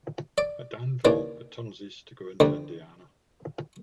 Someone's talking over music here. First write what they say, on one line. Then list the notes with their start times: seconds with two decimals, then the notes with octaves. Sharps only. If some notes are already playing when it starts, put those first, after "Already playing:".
At Danville, it turns east to go into Indiana.
0.38 D5
1.05 D#2 C#3 E3 D5
2.40 D2 D3 G3